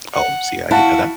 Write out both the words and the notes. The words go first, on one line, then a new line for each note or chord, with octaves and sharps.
Oh, see, I didn't know that.
F#5
E4 F#4 F5 F#5 A5